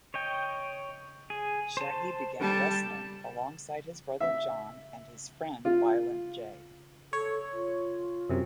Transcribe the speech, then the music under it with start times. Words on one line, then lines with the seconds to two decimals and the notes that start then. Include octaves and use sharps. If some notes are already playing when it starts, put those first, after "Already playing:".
Shaggy began wrestling alongside his brother John and his friend Violent J.
0.14 C#5 D#5 G5
1.30 G#4
1.77 C5 A5
2.40 G3 A4 A5
4.21 E5
5.65 F4
7.13 A4 C#5
7.53 F4
8.30 F#2 C3